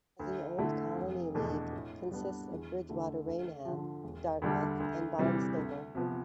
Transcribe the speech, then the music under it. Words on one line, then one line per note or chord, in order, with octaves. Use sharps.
The Old Colony League consists of Bridgewater-Raynham, Dartmouth, and Barnstable.
D2
D3 A3 E4
F1
E2 B2 A3 D4
A2
G3 B3 D4
E2
D3 A3 E4
D2
D3 F3
E1
D2 D3 G3 D4
D2
C3 E3 G3 C4
D2
C3 F3 B3